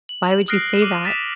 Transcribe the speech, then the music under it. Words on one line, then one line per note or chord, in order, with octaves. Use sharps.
Why would you say that?"
F#7
F#7
D#6 F6 F#6 A#6 C7 D7
D6 D#7 F#7
A6 B6 E7 F7